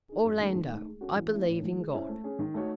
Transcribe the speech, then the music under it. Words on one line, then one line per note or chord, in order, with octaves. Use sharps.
"Orlando, I believe in God."
D#4 G#4
F#2
D#3 A3 C#4 G#4
D#3
A3 D#4
G#3
C#4 F#4 A4
E3
A3 C#4 E4
A2
E3 A3
G#3
C#4 E4 C5 E5
A3
C#4 G#4
D#3
A3 D#4 F#4 C#5